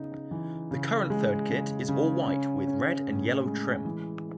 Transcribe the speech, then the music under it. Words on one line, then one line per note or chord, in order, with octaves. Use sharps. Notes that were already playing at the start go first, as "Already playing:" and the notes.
The current third kit is all white with red and yellow trim.
Already playing: C#3 B3 D#4
E3
C#3
G#3
C#3
C#3
C#4
C#4
A2
G#3
E3